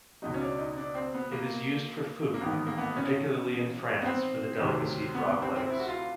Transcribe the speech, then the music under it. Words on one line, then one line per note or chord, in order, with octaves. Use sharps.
It is used for food, particularly in France for the delicacy frog legs.
C#2 B2 F#3 D#4
C#4
D4
D#4
D4
C4
B3
A#3
A#3
A1 G#2 D#3 B3
A#3
B3
C#4
B3
C4
D2 C3 D#3 F#3
B3
B3
C4
C4
E4
F#4
F4